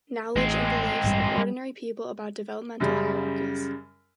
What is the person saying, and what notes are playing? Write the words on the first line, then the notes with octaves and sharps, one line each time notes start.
Knowledge and Beliefs of Ordinary People about Developmental Hierarchies.
A1 A2 G#3 C4
A1 G2 G3
G3
F#2 C#3 G3